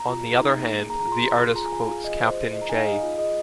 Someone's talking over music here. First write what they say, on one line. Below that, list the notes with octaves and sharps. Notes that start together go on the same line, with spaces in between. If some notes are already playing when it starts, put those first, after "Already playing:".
On the other hand, the artist quotes Captain J.
Already playing: A#5
F4
G#4
D#4
A#3
G#4
G#4 A#5
A#5
F4
C6
G#4
F4
G#4 A#5
G#5
F4
G#5
G#4 F5
F4 D#5
G#4 C5
F4
G#4 D#5
A#5
D#4 G#5
F5
G#4 D#5
F4
G#4 D#5